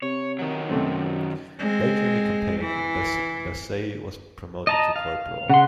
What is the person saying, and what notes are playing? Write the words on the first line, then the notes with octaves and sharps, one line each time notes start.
Later in the campaign, Bassett was promoted to corporal.
C3 C#5
D#3 F#3
F#2 C3 A3 C4
G#3 C4
E3
D#5 A5 A#5
F5
C#3 F#5 C6